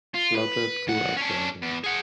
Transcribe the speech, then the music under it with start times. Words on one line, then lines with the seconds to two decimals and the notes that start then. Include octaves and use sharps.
Blodgett grew up welding.
0.15 F4
0.35 B4
0.87 F2 F#5
1.17 C#4 D4
1.62 E2
1.84 G#4 F#5